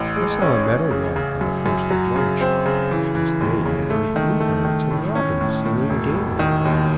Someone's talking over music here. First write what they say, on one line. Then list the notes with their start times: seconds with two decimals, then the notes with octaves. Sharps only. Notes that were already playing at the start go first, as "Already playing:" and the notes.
I saw a meadow-lark on the first of March; this day I heard blue-birds and robins singing gaily.
Already playing: A1
0.16 G#3
0.42 C#4
0.66 A1
0.91 C#3
1.16 C#3
1.41 F#2
1.66 F#2
1.91 F#3
2.16 C#3
2.41 C4
2.66 C#3
2.91 E3
3.15 E3
3.41 D#2
3.65 C#3
3.90 A3
4.16 D#3
4.40 A3
4.65 D#3
4.91 A2
5.15 C#4
5.40 A2
5.65 A2
5.90 E1
6.15 E1
6.39 D#3
6.65 D#2